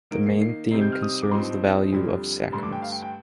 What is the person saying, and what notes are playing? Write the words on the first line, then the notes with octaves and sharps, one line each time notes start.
The main theme concerns the value of sacraments.
D#3 A#3 D#4 D7
C7
C7
C3 G3 C4 D#4 C7
G6
F6
D#6
D6
G2 F3 C4 D#4 C6
F2 D3 G3
G2 D3 A3 C6
D6
G5
F5
G5
G5